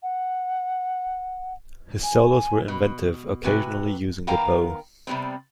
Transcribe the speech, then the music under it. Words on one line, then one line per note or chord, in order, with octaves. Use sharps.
His solos were inventive, occasionally using the bow.
F#5
G#5
B2
C3 F#4 B4 G#5
D#3 B3 A#4 F5 G5 A#5
C3 F#3 G3 B3 C4